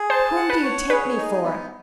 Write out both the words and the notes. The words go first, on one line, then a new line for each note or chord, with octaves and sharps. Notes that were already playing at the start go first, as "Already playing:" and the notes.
Whom do you take me for?
Already playing: G#4
C5 A5
F#5
B4
C#5
G#4 B4
D#4
B3